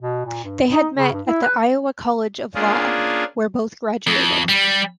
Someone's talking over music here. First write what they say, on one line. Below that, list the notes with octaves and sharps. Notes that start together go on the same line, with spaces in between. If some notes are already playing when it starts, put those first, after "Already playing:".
They had met at the Iowa College of Law, where both graduated.
B2
A#2
G2
D#4
C#3
G2
E4
B4
A#3 C#4 D4 F4 G#4
F2
G3